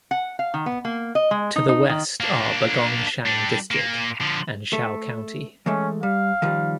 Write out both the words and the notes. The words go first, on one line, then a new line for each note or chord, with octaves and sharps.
To the west are Bagongshan District and Shou County.
F#5
F5
D#3
B3
A#3
D#5
G#3
D#4
D#4
D#3
A#3 D4
G3 D4
A#2 A#3
D3 F3
A3
E3 G#3 A3 C#4
G3 F5
D#3 F3 G3